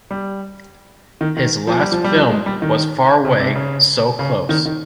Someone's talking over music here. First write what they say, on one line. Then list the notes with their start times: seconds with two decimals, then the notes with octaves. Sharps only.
His last film was Faraway, So Close!
0.11 G3
1.21 D#3
1.37 D#3
1.67 F3
1.79 G3
1.92 F3
2.04 G3
2.15 F3
2.30 G#3
2.46 G3
2.62 D#3
3.25 C#3
3.40 C3
3.56 C#3
4.19 C#3
4.49 D#3
4.66 D#3